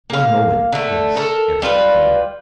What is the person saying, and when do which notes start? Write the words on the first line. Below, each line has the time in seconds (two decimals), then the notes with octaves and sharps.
"One moment, yes," answered the queen.
0.10 A#3 F5
0.72 D3 A3
1.17 A4 A#4
1.62 G3 F4 F#4 B4